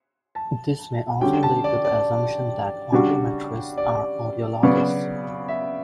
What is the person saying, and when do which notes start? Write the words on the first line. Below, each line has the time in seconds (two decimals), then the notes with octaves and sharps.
This may often lead to the assumption that audiometrists are audiologists.
0.35 A5
1.21 D3 G3 C#4 F#4 G5
1.43 A5
1.64 D5
1.84 D5
2.92 C#3 G3 D4 F#4
3.77 D5
4.63 C#3 F#3 B3 F#4 D5
5.48 E5